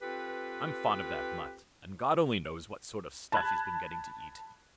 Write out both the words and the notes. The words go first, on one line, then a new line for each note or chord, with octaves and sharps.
I'm fond of that mutt, and God only knows what sort of stuff he's been getting to eat.
C4 F4 G4 A4 B4
A5 B5 F#6 G#6